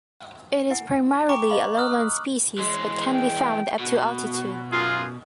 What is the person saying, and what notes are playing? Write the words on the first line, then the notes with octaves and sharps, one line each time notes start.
It is primarily a lowland species but can be found up to altitude.
E4 F#5 G#5
G5 G#5 A#5 C#6 D6
D#5 F5 A5 B5 F#7
A#5 D#6 F6 F#6
E3 G#3 C6
G5
B2 F#4
F#2 F4 G#4